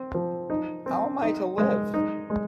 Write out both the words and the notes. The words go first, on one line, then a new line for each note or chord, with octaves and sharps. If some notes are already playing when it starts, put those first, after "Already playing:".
How am I to live?
Already playing: C4
F3
D#4
C4
D#4
G#3
D#4
G#3